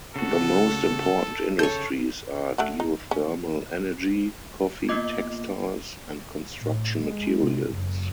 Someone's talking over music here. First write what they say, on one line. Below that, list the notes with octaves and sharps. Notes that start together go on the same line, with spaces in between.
The most important industries are geothermal energy, coffee, textiles and construction materials.
C#3 F#4 A4
C#3 F4 A4 C#5 G6
A3 D4 F#4
D#4
C#4
A#3 B3 F4 D#5 D6 G#6
A2
G#3
C3
F#1